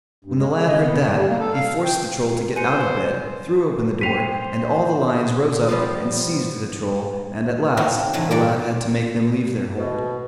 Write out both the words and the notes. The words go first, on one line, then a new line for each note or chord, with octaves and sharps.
When the lad heard that, he forced the Troll to get out of bed, threw open the door, and all the lions rose up and seized the Troll, and at last the lad had to make them leave their hold.
G2
G#3
C#3
D#5
B3
F#2
G3
A#3
A4
F5
F5
G5
B4 C5 G#5 C#7
C5 G5 B6 C7 D#7 F7
F3 G3 B3
A3 A#3 C4 C#4 D#4 F#4
C#3 E3 F3 A3 D#4
G#2 G3 F#4 D5 G5
B2